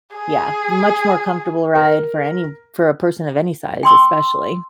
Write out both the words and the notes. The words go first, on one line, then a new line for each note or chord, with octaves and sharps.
Yeah, much more comfortable ride for any for a person of any size, especially.
G#4
A#4
G5 C6 E6